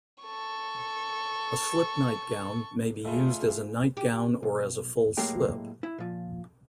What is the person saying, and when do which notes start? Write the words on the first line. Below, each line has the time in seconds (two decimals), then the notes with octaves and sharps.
A slip nightgown may be used as a nightgown or as a full slip.
0.23 A4 C#6
3.05 F2 C#3 A3 F4 G#4
3.97 G4
4.43 B1
5.17 A2 F#3 G#3 A#3 G4 G5
5.83 E4
5.98 A#2 F3